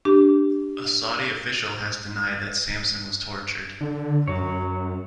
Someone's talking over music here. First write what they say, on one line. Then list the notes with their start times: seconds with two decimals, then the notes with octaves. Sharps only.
A Saudi official has denied that Sampson was tortured.
0.05 D4 G4
3.81 D3
4.28 F#2 F#3 C#5